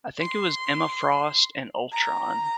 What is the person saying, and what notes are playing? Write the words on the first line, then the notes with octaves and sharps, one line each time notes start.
I think it was Emma Frost and Ultron.
C6
A#5